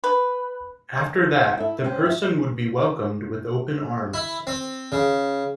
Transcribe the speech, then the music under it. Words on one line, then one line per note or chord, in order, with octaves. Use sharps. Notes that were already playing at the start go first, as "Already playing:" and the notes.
After that, the person would be welcomed with open arms.
B4
F#4 C#5
E4 A4 E5
C#4 C5 G5
E5
E4
C4
C#3